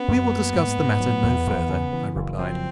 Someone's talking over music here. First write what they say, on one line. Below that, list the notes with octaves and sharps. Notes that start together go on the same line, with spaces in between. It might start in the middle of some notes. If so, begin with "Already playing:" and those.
"We will discuss the matter no further," I replied.
Already playing: B3 C#4
F#2
A#3
G#2
G#2
F#3
E2
E2
C#3
E3
F#1
F3 C4